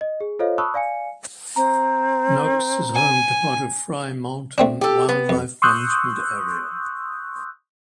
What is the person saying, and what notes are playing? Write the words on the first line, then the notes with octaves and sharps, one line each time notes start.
Knox is home to part of Frye Mountain Wildlife Management Area.
D#5
G#4
F4 A4 C5 C#5 D#5 F5
A5 B5 C#6 D#6 E6 F#6
D5 F5 G#5 C#7
C4 A#5
G#5
A3 C4 D4
G4 A4
B3
F2
C6 C#6 D#6 E6 F#6 G6